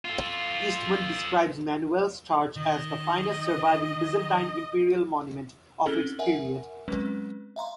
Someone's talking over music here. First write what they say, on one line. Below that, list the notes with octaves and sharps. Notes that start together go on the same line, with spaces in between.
Eastmond describes Manuel's church as the finest surviving Byzantine imperial monument of its period.
F4 A4
D#3 D#5
C4 C#4 D#4 E4 G#4 A4
A#4 E5 F#5 G#5
F#3 G#3 C4 C#4 B4
E5 F5 A#5 C6